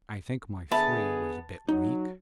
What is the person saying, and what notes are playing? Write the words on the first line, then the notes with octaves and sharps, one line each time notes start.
I think my "three" was a bit weak.
D3 B3 G#4 E5 A5 B5
F#3 D#4